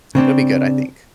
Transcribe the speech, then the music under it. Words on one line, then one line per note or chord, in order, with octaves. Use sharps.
it'll be good, I think.
C#3 C4 D4